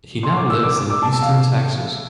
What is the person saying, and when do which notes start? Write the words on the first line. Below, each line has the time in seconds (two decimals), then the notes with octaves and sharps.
He now lives in Houston, Texas.
0.23 C6
0.36 D6
0.50 E6
0.63 D6
0.76 E6
0.90 D6
1.02 A5
1.12 A5
1.22 F5